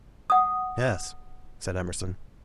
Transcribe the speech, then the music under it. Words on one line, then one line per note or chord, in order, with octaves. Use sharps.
"Yes," said Emerson.
F#5 D#6